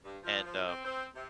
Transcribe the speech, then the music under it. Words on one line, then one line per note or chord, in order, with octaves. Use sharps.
and, um
G2
F3
F3
C4
C4
C3